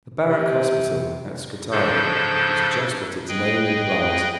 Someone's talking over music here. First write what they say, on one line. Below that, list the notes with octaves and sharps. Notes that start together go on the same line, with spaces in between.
The Barrack Hospital at Scutari was just what its name implies.
C3
G#2 C#3 F3 D4 A4 G6
G#4 B4 D#5 G5